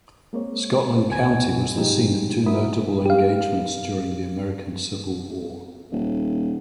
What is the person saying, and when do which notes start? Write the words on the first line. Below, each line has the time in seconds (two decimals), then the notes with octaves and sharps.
Scotland County was the scene of two notable engagements during the American Civil War.
0.33 G#3 A#3 C4 C#5
1.11 C#2 G#5 G#6
1.75 G#2 F3 G3 G#3 D#4 G4
2.46 E4 F#4 A#4 E5 B5 D#6
3.06 G4 F5
5.92 D#1